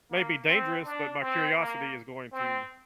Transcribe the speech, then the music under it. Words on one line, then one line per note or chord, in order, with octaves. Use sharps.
may be dangerous, but my curiosity is going to
A#3
C4
D4
C4
A#3
C4